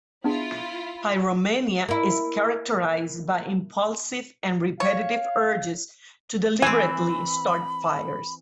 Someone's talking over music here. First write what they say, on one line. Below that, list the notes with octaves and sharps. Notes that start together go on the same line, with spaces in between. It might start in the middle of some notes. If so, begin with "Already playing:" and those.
Pyromania is characterized by impulsive and repetitive urges to deliberately start fires.
B3 D4 E4 F4 G#4
A#3 E4
C#5 F5
E3 C4 G#5 B5